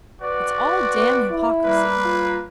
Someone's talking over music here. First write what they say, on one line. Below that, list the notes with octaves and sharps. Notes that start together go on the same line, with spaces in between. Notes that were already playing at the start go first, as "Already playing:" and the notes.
It's all damned hypocrisy.
F#4 B4 D5
B3
E4
G3 A#3 B4
F4